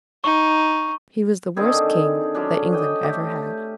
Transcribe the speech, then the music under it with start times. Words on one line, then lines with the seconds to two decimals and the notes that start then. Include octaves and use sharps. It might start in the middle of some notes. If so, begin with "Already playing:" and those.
He was the worst king that England ever had.
0.24 D#4 C#6
1.57 D3 D#3 C4 G#4
2.35 D3 F#3 C#4 D4
2.72 D#5 G5
3.02 A3 G4